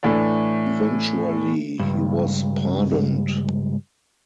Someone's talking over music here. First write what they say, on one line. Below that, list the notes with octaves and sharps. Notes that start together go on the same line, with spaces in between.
Eventually he was pardoned.
A2 E3 A3 D4
C#2 G2